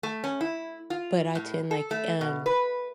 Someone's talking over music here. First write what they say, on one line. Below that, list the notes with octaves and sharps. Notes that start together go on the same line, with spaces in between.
But I tend like um,
A3
C#4
E4
F4
A2
A4
A3
B2
B4